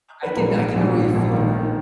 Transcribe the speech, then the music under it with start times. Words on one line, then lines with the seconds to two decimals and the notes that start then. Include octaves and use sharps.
I can I can already feel that.
0.23 B4
0.36 A#1 A#4
0.55 G#2
0.75 A#1
0.95 G#2
1.15 A#1
1.34 D#3
1.54 D#3